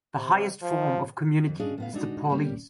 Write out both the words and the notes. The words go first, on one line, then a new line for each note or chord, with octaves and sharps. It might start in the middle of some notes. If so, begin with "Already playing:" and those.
The highest form of community is the polis.
C3
F3
F2
C#4 D4 G#4 D#5 F5
A2 B3 F5
G#3 D4 D#4 F#4
C#3 G3 A#3 G4